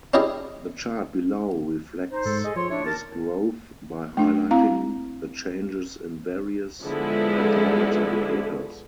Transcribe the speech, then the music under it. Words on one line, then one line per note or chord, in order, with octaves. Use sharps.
The chart below reflects this growth by highlighting the changes in various performance indicators.
C#4 D4 E4 G4 G#4 D#5
D#4 C5
G#2 A4
G#4 D#5
F3 C#5 C6
D4 E4 C#5
A#4 A5 A6
A3 D4
C4 E4 F5 A#5
D3 F3 G#3 B3 E4 A4